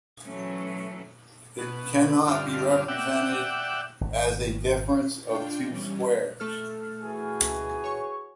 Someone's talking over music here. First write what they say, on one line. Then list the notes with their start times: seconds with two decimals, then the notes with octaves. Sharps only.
It cannot be represented as a difference of two squares.
0.25 E3 F#3 A3 C#4
1.58 B2
2.27 G2 D3 F4
2.88 D5 E5 F#5 G5
4.01 G#1
5.24 D4 F4 G5
5.68 E3 G3 C#4
6.40 A3 A4 F6
7.02 E3 F#4 G#4
7.41 C#2 A3
7.84 C#5 C#6